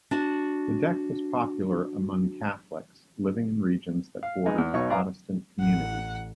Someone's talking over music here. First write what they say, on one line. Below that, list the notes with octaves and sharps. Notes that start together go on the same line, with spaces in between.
This deck was popular among Catholics living in regions that bordered Protestant communities.
D4 F#4 A5
F5
G#3 B3 D#4
E2
B1 B2 D#4 C#5 C#6
B4 D5 F5 G#5 A#5
A1 F#5